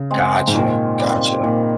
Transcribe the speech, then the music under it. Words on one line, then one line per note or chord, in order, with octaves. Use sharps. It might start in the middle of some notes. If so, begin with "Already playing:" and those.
Gotcha. Gotcha.
Already playing: C#3
G#3 C4
G#2
A#2 D#3
G3 C4
A#2 D#3